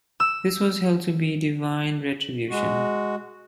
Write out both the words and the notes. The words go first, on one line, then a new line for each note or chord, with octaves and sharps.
This was held to be divine retribution.
E6
G#3 F#4